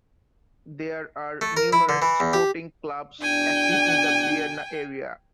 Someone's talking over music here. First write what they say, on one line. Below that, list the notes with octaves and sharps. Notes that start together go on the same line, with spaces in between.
There are numerous sporting clubs active in the Bearna area.
A3
A#4
E4
D3
E3
E2
G4
E2 B2 D4 G5 G#5